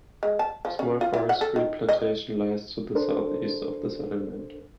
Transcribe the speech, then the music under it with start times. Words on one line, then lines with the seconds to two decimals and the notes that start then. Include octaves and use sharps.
A small forestry plantation lies to the southeast of the settlement.
0.23 G#3
0.39 A5
0.65 F3
0.79 C#4
1.01 F4
1.14 E4
1.29 F#5
1.41 A4
1.56 D#3
1.89 D#5
2.95 D4 A4 A#4 C5